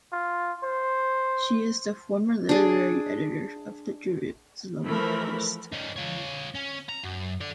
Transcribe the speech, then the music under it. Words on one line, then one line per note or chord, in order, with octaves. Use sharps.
She is the former literary editor of the Jerusalem Post.
F4
C5
D4 G#4
E3 F3 A3 A#4 B5
C#4 D#4
F4 C#5
C#4
A#5
F#2
A4 D5